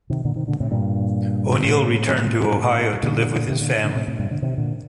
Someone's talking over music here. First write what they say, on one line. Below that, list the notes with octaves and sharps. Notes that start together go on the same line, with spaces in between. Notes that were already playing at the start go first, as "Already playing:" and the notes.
O'Neill returned to Ohio to live with his family.
C3 D#3
A#2 D3
C3 D#3
A#2 D3
A2 C3
G2 A#2
A2 C3
A#2 D3
C3 D#3
A#2 D3
A#2 D3
A2 C3
A2 C3
G2 A#2
A#2 D3
C3 D#3
D#3
A#2 D3